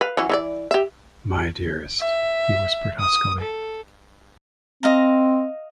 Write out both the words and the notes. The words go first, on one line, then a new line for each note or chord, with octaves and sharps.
"My dearest," he whispered huskily.
B4 F5
E3 F#3 C#4
E3 D#4 D5
G4 E5
E5
D#6
A4
C4 D#5 F5 A#5